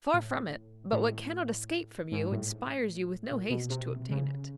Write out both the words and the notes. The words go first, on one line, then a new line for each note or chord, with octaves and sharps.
Far from it; but what cannot escape from you inspires you with no haste to obtain it.
A2
A2
G#2
A2
A#2
B2
C3
C#3